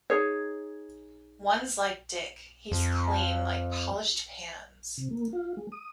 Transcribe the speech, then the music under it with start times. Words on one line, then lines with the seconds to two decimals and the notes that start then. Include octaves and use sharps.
One's like Dick: he's clean like polished pans.
0.10 D#4 G#4 C#5
2.71 F2
4.98 C3
5.11 A#3
5.33 F4
5.57 G#3
5.72 D#6